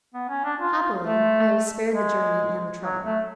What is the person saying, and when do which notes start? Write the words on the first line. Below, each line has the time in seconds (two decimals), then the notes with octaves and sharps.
Happily, I was spared the journey and the trouble.
0.14 B3
0.29 C#4
0.44 D4
0.59 F4
1.04 A3
1.93 G#3
2.82 F#3
3.04 A3